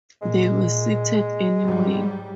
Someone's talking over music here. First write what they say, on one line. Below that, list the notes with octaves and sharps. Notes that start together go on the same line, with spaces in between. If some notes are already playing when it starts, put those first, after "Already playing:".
They were seated anyway.
A#2 G#3
G#2 F#3 G3